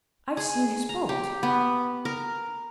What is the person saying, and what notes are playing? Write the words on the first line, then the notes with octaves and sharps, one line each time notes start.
'I've seen his boat.'
G#4
A#5
G4
B3
A#4